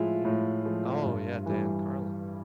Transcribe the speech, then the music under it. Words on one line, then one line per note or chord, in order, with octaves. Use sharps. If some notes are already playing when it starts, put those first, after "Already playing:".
Mm. Oh, yeah, Dan Carlin.
Already playing: A2 F3 G#3 E4 F4
A2
F3 G#3
G2
E3 G3